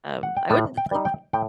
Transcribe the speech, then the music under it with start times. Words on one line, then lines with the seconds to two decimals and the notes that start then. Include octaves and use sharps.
Um, I wouldn't, like,
0.23 F#5
0.37 G5
0.50 A2 A5
0.77 G5
0.91 G3 D#4
1.05 G5
1.33 A2 G5